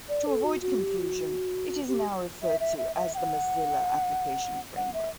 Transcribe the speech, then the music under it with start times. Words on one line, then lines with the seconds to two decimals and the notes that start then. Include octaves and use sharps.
To avoid confusion, it is now referred to as the Mozilla application framework.
0.09 D5
0.27 A4
0.44 F#4
0.62 F#4
0.80 G4
0.98 F#4
1.88 G4
2.42 E5
2.60 E5
2.78 E5
2.96 E5
3.14 G5
3.17 F#5
4.76 F#5
4.94 E5